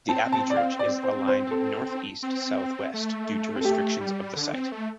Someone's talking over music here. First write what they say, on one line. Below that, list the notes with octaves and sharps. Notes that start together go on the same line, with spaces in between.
The abbey church is aligned northeast-southwest, due to restrictions of the site.
C4 A5
A5
D5
F5
D5
C5
C5
A4
C4
A3
C4
A4
A3 G4
G3
D3
C4
A3